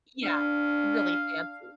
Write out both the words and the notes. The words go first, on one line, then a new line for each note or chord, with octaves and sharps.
Yeah. Really fancy.
D4 F5